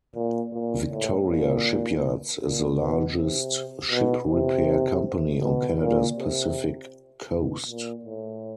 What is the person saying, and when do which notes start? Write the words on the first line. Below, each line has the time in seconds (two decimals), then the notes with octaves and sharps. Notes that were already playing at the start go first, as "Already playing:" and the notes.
Victoria Shipyards is the largest ship repair company on Canada's Pacific coast.
0.15 A#2
0.53 A#2
0.90 A2
1.28 A#2
2.40 A#2
2.78 B2
3.16 C3
3.91 B2
4.29 C3
5.41 B2
5.79 A#2
6.17 C3
7.29 B2
7.67 A#2
8.05 A2